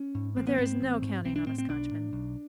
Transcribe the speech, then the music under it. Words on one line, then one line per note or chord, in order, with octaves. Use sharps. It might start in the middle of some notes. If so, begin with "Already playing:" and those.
But there is no counting on a Scotchman.
Already playing: C#4
G#2
A1 C4
B3
G#2 C4
A1
G#2
B1 C4
D4
A2 C4
C4
B1 D4
A2
B1